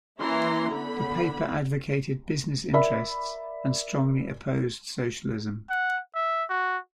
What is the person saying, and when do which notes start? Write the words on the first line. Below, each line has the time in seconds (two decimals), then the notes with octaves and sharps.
The paper advocated business interests and strongly opposed socialism.
0.20 E3 A#3 C#4 E4 A#5 C6
0.72 D3 B3 B5
2.73 A#4 D5 E5 B5
5.70 F#5
6.15 E5
6.50 F#4